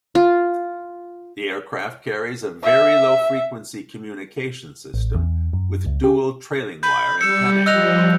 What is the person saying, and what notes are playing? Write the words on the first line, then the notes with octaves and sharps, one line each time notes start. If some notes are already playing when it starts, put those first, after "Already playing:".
The aircraft carries a very low frequency communication system with dual trailing wire antennae.
F4
E5
A1
E2
F#2
C#2
G4
B5 G6
G3 E6 C#7
F3 G3 D#5 E6 F#6 F7